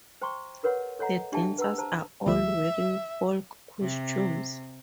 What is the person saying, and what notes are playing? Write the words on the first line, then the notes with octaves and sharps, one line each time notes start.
The dancers are all wearing Folk costumes.
C5 G5 A#5 C6 C#6
G#4 A#4 B4 C#5 F#5
A4 C#5 D#5 F#5 A#5
D4 G4 D5 E5 G5 A5
B4 F#5 A#5 E6
C5 A5 A#5
D2 F3 A3 E5
C3